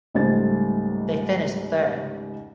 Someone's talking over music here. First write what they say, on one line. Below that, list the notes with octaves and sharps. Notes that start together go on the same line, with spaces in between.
They finished third.
C#2 G#2 G3 A3 C5 A6